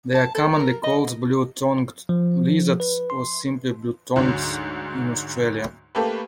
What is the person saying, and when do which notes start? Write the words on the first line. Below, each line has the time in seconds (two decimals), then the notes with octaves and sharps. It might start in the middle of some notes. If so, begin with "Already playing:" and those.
They are commonly called blue-tongued lizards or simply blue-tongues in Australia.
0.14 A5
0.35 A4
0.53 A#4
0.84 D#5
2.09 F3
2.80 B4
3.10 C6
4.16 D2 G#2 F#3
5.95 A3 A#3 G4 A4 B4